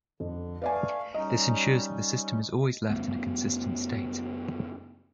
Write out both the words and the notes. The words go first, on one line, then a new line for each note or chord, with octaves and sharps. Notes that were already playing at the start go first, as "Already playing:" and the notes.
This ensures that the system is always left in a consistent state.
F2 D3
A3 B4 D5 F5 G#5
G3 C#4 D#4 D#5
F#1 A2 A3 B3